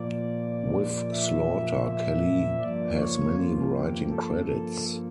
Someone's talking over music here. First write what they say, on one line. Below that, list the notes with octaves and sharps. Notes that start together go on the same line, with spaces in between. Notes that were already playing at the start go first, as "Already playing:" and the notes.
With Slaughter, Kelly has many writing credits.
Already playing: A#2 F3 A#3 D5
E5
E5
G2 F3 A#3 D5
C#5
F4
G4
A4
A4